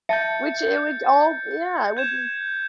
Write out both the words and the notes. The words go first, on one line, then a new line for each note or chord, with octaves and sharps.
Which it would all yeah. It would be
E5 A5 G6 A6 C#7
G6 G#6 E7